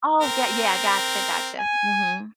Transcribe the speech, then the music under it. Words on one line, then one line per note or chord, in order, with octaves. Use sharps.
Oh, 'kay, yeah, I gotcha, gotcha. Mhm.
C4 A#4
G#5